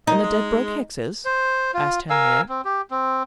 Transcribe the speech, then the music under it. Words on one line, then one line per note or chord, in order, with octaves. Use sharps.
"And the Dedbroke-Hickses?" asked Henriette.
A#2 D#4 D#5
G#3
C5
F4
A#4 F5 G#5 E6
C4
G4
C4